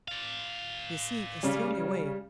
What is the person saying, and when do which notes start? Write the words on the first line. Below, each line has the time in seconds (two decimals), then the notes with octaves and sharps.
You see it's the only way.
0.08 D5 F5
1.43 C#3 G3 C#4